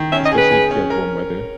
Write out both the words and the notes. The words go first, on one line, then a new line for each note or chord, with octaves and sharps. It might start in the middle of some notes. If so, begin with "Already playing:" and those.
especially if you have warm weather,
Already playing: D#3
C#4 E5
D#5
G#4
B4
G#4
C#4
A#4